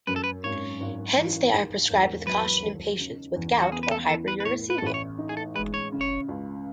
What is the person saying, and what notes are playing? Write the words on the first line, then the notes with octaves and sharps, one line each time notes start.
Hence they are prescribed with caution in patients with gout or hyperuricemia.
F#2 B4
A4
B4
G#1 C#5
G#1
E3
D#2
E1
F#3 B4
D#3
C#3
E2
F#4
B3 G#4
B4
A4
E3 A4
B4
B4
A2 C#5
B4
A4
A1 B4
C#5
D#4
G#4
A4
G#3 B4
C#5
C#3
C#5
C#2